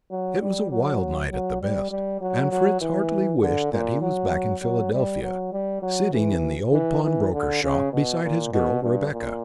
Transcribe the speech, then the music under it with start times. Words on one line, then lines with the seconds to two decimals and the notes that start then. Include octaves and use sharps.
It was a wild night at the best, and Fritz heartily wished that he was back in Philadelphia, sitting in the old pawnbroker-shop, beside his girl, Rebecca.
0.11 F#3
0.41 G3
0.71 F#3
1.31 F#3
1.61 G3
1.91 G3
2.21 F#3
2.51 F#3
2.81 E3
3.42 D3
3.72 A#2
4.02 F#3
4.62 F#3
4.93 G3
5.22 F#3
5.52 G3
5.82 F#3
6.13 E3
6.72 E3
7.03 E3
7.33 D3
7.63 C#3
7.93 B2
8.23 A#2
8.53 B2
8.83 G2
9.13 A#2